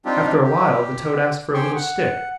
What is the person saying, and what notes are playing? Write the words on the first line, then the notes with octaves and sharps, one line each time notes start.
After a while the toad asked for a little stick.
G3 C4 D4 D#4 F4 G4
G4
G4 G#4 C5 G5 C6 C#6
F#5